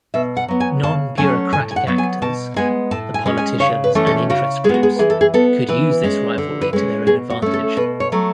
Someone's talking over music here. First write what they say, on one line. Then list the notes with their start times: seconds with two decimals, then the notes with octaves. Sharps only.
Nonbureaucratic actors-the politicians and interest groups-could use this rivalry to their own advantage.
0.14 B2 E5
0.37 F#5
0.48 F#3 B3
0.60 G#5
0.83 C#3 A5
1.17 F#3 A3 C#4 G#5
1.53 A2 G#5
1.71 G#5
1.76 F#5
1.87 F#3 B3
1.98 G#5
2.22 B2 A5
2.56 G#3 B3 G#5
2.91 A2 A5
3.14 G#5
3.26 G#3 C#4
3.37 G#5
3.60 C#3 C#5
3.84 B4
3.95 E3 A3 C#4
4.07 A4
4.30 C#3 F#4
4.64 G#3 G#4
4.69 B3 F#4
4.83 G#4
4.99 E3 G#4
5.10 A4
5.21 G#4
5.34 B3 A4
5.69 E3 B4
6.03 G#3 C#4
6.38 D3
6.61 B4
6.73 G#3 C#4
7.07 B2 G#4
7.30 F#4
7.42 A3 C#4
7.53 A4
7.77 B2 B4
8.00 C#5
8.12 F#3 A3